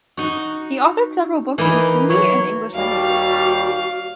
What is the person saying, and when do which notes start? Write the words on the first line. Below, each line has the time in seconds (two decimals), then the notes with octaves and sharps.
He authored several books in Sindhi and English languages.
0.17 D#4 F#4
1.58 E3 A#3 D#4 B4 B5
2.10 F#3 E4 C#6
2.75 D#2 G3 F#4 F5